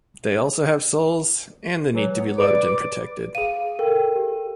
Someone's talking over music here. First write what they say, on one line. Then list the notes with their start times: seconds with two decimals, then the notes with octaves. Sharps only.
They also have souls, and the need to be loved and protected.
1.93 E3 F#3
2.15 B3 C#5
2.38 B4 D5 D6
3.35 G#4 F5 D#7
3.79 A4 A#4 G5
4.16 G4